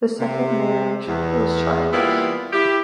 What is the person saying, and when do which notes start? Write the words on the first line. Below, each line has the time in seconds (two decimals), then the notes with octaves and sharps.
The second marriage was childless.
0.19 C3
1.07 E2
1.92 E3 G3 A#3 B3 E4 F4
2.53 E4 G4